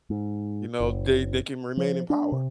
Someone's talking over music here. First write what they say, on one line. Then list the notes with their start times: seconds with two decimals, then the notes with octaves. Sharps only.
you know, they they can remain in power.
0.10 G#2
0.80 F#1
1.77 F3
2.10 D4
2.32 C3